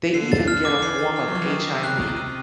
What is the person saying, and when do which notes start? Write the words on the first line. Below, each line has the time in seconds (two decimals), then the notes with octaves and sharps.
They even get a form of HIV
0.14 D3 C7
0.32 A6
0.48 F6
0.65 D6
0.82 E3 C7
0.99 A6
1.16 F6
1.28 F#3
1.32 F3 C#6
1.42 E3
1.49 D#3 D#6
1.67 A#6
1.75 C3
1.83 C#3 F#6
2.00 D#6
2.16 C3 D#7